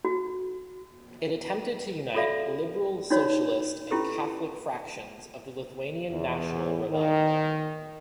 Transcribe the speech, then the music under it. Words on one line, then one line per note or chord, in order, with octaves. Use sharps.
It attempted to unite liberal, socialist, and Catholic fractions of the Lithuanian National Revival.
F#4
F4 F#4 A4 D5 E5 F5
D4 D#4 F4 F#4 C#5 D5
C#4 E4 F4 G4 A4 B4
E2
D#3